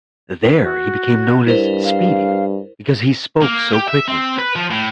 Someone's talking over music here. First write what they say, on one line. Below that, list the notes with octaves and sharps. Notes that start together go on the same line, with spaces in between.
There he became known as 'Speedy', because he spoke so quickly.
F#4
G2 E4 A#4 C5
F5
A#3
G4
E5
C4
B4
F3
A2